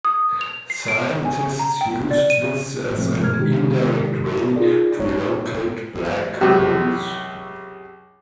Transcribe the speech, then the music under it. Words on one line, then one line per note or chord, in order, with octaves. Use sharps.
Scientists used this as an indirect way to locate black holes.
D#6
F7
C7
D7
G#5
A#5
G5
D5
D#7
A2 C3 F3 A3 C4
G2 B2 A#4 F6 G#6
C3 D#3 G#3 D#4 G4
D#4 F4 G#4 A#4 D5
D#4 C#5
C#2 F#2 C3